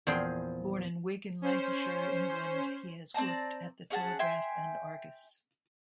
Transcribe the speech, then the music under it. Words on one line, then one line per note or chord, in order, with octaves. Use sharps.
Born in Wigan, Lancashire, England, he has worked at the Telegraph and Argus.
E2 A#2 F3 G#4 G5 C6
C#4 C5
C4 D5 A5 A#5
C#4 G#4 F#5 A5
E5 G5 G#5 C6